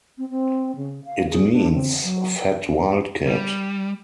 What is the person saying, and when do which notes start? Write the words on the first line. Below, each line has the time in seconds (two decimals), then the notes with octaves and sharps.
It means "fat wildcat".
0.18 C4
0.30 C4
0.76 C#3
1.05 F5
1.30 G#4
1.52 D4
1.75 C4
2.03 F#3
3.27 G3